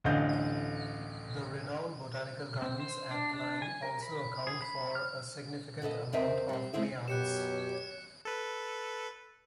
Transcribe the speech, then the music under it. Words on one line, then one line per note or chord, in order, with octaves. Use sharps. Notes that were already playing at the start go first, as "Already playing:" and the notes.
The renowned botanical gardens at Clyne also account for a significant amount of Mayals.
A1 D2 D3 D#5 F5 G6
C4
C5
D4
D4
G#5
A#4
B5
G#4
B5
F6
A#2 B3 A4 D#5
E2 C3 C4 A#4 D#5 E5
G3 C4
G#3 A3 C4 E4 G#4
F#2 B2 G4 C#5 F#6 C#7 E7
A4 B4